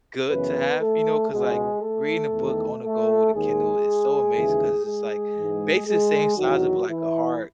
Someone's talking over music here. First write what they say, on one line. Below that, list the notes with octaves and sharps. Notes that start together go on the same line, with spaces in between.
good to have, you know, 'cause, like, reading a book on the go with a Kindle is so amazing 'cause it's, like, basically the same size of, like, a hard
F#2 C#3 E3 B3 B4
A3 A4
C#2 B2 G#3 G#4
A3 A4
E2 D#3
A3 A4
D#2 D#3 G#3 G#4
D#2 C#3 E3
G#3 G#4
G#2 E3
G#3 G#4
E2 D#3 F#3 F#4
E3 E4